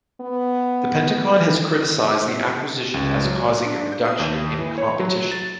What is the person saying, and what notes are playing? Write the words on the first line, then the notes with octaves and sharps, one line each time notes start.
The Pentagon has criticized the acquisition as causing a reduction in competition.
B3
C#2
F#3
D4
G6
D#6
D#2
E3
C#5
F#3
A6